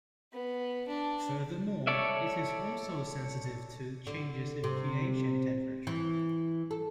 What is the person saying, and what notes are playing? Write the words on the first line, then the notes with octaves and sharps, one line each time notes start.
Furthermore, it is also sensitive to changes in pH and temperature.
B3
D4
A4 C#5 D5 E5
D3
C3
E3
A4